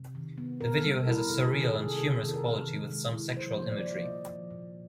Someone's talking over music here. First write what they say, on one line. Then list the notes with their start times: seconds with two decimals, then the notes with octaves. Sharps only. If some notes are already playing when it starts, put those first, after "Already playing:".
The video has a surreal and humorous quality with some sexual imagery.
Already playing: C3
0.15 D#3
0.38 B3
0.61 A#2 A#4
0.78 A4
0.84 G3
0.95 A#4
1.07 E4 A#4
1.30 C3 A4
1.47 G#4
1.53 D#3
1.64 A4
1.76 C3 G#4
1.98 C3 A4
2.21 D#3
2.29 A4
2.33 A#4
2.44 C3
2.67 D#3
2.91 G#3
3.14 E4
3.36 F3 C5
3.54 A#3 C5
3.71 D5
3.82 F4
3.87 D5
4.05 A#2 D#5
4.28 F3
4.51 A#2